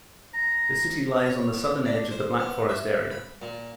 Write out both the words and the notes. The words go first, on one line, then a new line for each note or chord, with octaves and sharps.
The city lies on the southern edge of the Black Forest area.
A#5
C#5
B3
D4
C5
B3
E5
B5
A#2